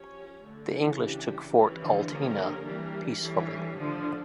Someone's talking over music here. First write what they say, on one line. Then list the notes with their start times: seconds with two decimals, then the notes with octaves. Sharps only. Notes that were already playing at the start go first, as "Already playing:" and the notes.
The English took Fort Altena peacefully.
Already playing: F3 C#4 G4 C#5
0.41 D3 A3 D4
0.68 C#3 E3
0.97 G3 D4 G4
1.53 E3 G3 C#4 G4
1.81 D3 F3
2.09 D3 F3 A#3 C#4 G4 A#4
2.65 E3 G3 D4 G4 A#4
3.21 E3 G3 D4 A4 C#5
3.77 D3 F3 A3 D4 A4 D5